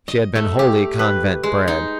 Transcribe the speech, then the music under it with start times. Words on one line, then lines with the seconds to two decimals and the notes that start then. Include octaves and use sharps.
She had been wholly convent-bred.
0.08 D#5
0.36 A3
0.59 G4
0.99 B4
1.43 G#3
1.68 D#4